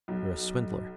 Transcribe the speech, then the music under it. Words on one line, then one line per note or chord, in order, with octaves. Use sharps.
"You're a swindler!"
B1